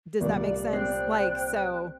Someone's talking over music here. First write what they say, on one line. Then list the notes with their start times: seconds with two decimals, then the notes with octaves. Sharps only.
Does that make sense? Like, so,
0.21 C2 A#2 A#3 D5
0.73 C4 C5 G5 F#6